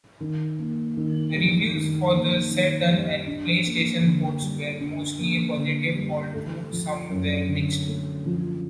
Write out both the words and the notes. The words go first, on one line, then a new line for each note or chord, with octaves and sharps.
Reviews for the Saturn and PlayStation ports were mostly positive although some were mixed.
D#3
A#3
D#3
G3
D#3
A#3
D#3
G3
D4
A#3
D3
G3
D4
A#3
D3
G3
A3
F3
F#2
D3
A3
F3